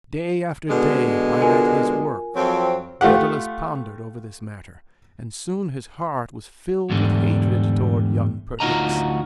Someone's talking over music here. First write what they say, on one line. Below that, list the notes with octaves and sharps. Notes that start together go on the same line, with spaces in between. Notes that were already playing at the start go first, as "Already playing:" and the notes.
Day after day, while at his work, Daedalus pondered over this matter, and soon his heart was filled with hatred towards young Perdix.
B2 D3 G#3
F4 A#4 G#5
F2 F#3 C4
A3 F4 G4 F#5
E2 G#2 D3 G3
D2 D#4 F4 F#4 D#5 A#5